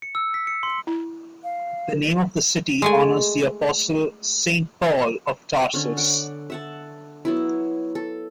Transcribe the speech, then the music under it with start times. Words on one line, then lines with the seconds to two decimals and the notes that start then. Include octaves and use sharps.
The name of the city honors the Apostle, Saint Paul of Tarsus.
0.02 C#7
0.15 E6
0.34 B6
0.47 C#7
0.63 C6
0.87 E4
1.44 F5
2.82 G#3 A3 G#5
5.74 D3 C#4
5.97 F#5 D6
6.50 E5 F#5 A5
7.25 F#3 B3 E4
7.95 A4